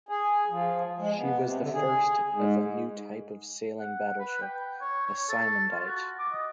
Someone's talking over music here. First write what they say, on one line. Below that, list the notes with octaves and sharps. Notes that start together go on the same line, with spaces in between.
She was the first of a new type of sailing battleship: a Symondite.
G#4
F3
G#3
B3
C3
D3
G#4
G#2
F#5
B4
G5
C#5
C#5
A4
F4
F#4
D6
D#5